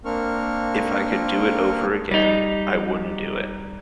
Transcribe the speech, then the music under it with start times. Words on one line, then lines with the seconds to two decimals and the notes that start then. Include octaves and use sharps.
If I could do it over again I wouldn't do it.
0.05 A#3 C4 D4 A#4 C#6 F6
2.11 G3 D#4